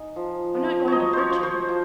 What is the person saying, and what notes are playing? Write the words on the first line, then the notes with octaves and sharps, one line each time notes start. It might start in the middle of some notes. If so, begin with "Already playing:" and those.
I'm not going to hurt you.
Already playing: D#4 G#5
F3
F3
F#3 C#5 D#5
C5 C#5
F4
C5
F3